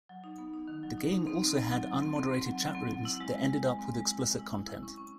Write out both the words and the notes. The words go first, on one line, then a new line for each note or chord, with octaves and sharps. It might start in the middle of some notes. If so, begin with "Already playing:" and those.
The game also had unmoderated chat rooms that ended up with explicit content.
F#3
D#4
B3
D#4
D#3
F#3
D#4
D#4
C4
C4
C4
F#3
F#3
C4
C4
C4
F#3
F#3
C4
F#3
E4
G#3
G#3
G#3
G#3
C4
G#3
E4
G#3
E4
E4
E4
C#4
C#4